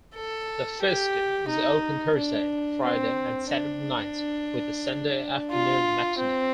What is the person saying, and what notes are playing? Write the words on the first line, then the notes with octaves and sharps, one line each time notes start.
The Fiske is open Thursday, Friday, and Saturday nights, with a Sunday-afternoon matinee.
A4
G4
D#4
D4
C4
D4
F4
C4